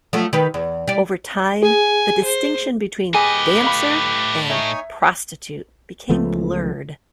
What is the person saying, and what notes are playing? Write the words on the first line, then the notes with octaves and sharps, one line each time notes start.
Over time, the distinction between "dancer" and "prostitute" became blurred.
F3 F#3 A3
D#3 G4 B4
E2
G3 D5
G#4 G#5
C5
A2 G4 G#4 B4 D#5 G#5
F5 B5
D#4 C#5 E5 G#5
C#2 F3 A3 B3